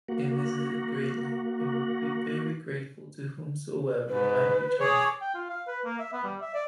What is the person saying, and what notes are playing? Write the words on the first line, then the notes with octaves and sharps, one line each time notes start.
He misses it greatly and would be very grateful to whomsoever might return it.
A#3 F#4
G#2 B4
G#4 C#5 D6
G5
F4
F5
B4
A#3
E5
B3
G3
E5
D5